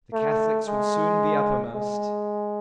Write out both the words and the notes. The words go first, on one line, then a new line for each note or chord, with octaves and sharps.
The Catholics would soon be uppermost.
A3
G#3
G#3